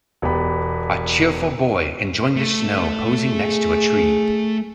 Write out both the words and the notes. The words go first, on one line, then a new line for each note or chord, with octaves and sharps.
A cheerful boy enjoying the snow posing next to a tree.
E1 B3 G4 B5
A3
G#4